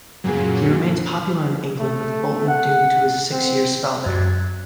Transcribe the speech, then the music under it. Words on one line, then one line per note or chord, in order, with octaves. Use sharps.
He remains popular in England with Bolton due to his six-year spell there.
F#2 A#2 C#3 F#3 A#3
A3
F#5
C4
F#2